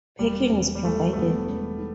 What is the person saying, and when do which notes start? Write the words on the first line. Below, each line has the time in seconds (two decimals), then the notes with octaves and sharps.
Parking is provided.
0.19 E1 G3
0.52 E1
0.75 G3
0.85 E1 A3
1.13 A3
1.17 E1 B3
1.50 E1